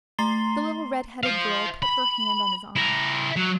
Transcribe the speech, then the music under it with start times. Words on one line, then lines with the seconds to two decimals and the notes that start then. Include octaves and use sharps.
The little red-headed girl put her hand on his arm.
0.18 A3 A#5 C6 A6 C7 G7
1.23 C5 F5
1.82 B5
2.76 E4 A#4
3.36 F#3